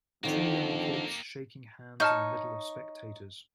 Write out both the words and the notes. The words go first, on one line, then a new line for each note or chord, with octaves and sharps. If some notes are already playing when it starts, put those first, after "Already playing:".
Two young kids shaking hands in the middle of spectators.
F2 D3 D#3 A#3 C4 G4
D#4 C#5 A5 F6 G6